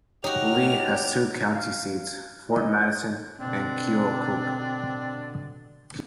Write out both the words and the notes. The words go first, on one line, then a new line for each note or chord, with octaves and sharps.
Lee has two county seats - Fort Madison and Keokuk.
D#4 F#4 G4 C#5 F6 F7
F5 F6
E4 D#5
B2 D3 C4 D4